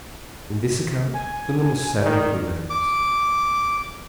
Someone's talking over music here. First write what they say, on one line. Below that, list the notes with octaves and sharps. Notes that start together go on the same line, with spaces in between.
In this account the number seven prevails.
G#5
D#3 D5
D6